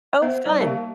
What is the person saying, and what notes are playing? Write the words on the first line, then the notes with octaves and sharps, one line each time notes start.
Oh, fun.
B3 C5 E5 F#5
G3 D#4 D5
A#3 G4 A#4 E5 F5 A5